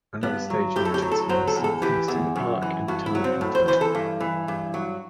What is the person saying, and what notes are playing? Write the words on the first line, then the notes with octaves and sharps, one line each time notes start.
Another staging area is found south-east of the park, in the town of Hinton.
G2 B3
F#3
A2 G4
A4
G4
F#3
A4
F#3 C5
A4
E2
A4
E3 G4
E2
F#2
E3
G2 F#4
E4
F#3
C4
A2
C5
E3 C5
A4
G2
E3
G2
F#3